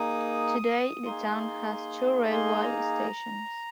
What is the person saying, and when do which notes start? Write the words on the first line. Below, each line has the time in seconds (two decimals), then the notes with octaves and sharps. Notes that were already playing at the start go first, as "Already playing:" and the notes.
Today the town has two railway stations.
Already playing: A#3 D#4 G#4 D#6
1.06 A#3 D#4 G#4 C6
2.32 C6
2.63 A#5